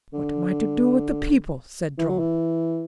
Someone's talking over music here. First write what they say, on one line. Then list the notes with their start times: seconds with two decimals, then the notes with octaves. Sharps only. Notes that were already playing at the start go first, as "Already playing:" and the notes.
"What am I to do with the people?" said Dron.
0.13 D3
1.98 E3
2.09 F#3
2.19 E3